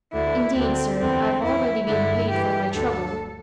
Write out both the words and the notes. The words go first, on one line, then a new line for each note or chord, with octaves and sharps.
"Indeed, sir, I've already been paid for my trouble."
D2 D3 E4
D2 D3 C4
E2 D3 C4
E2 E3 E4
G2 D3 E4
G2 E3 G4
D2 D3 A4